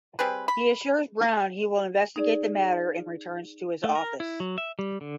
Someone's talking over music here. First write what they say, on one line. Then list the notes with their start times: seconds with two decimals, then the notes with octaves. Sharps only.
He assures Browne he will investigate the matter and returns to his office.
0.19 G3 C4 G#4 B4
0.48 B5
2.16 D#4 G#4 D5
3.84 A3
3.95 A#4
4.20 E4
4.40 F#3
4.58 E5
4.79 G3
5.01 D3